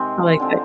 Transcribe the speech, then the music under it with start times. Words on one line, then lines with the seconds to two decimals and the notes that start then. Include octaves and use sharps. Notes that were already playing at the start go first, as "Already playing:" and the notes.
I like that.
Already playing: C3 D#3 G#3 C4
0.39 D3 F3 C4